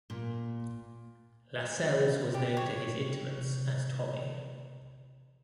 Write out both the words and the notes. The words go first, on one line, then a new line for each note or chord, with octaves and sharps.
Lascelles was known to his intimates as "Tommy".
A#2
G4
C#5
C3 E3